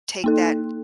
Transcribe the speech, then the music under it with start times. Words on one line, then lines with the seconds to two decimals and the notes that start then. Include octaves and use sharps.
take that
0.24 A#3 D#4 A4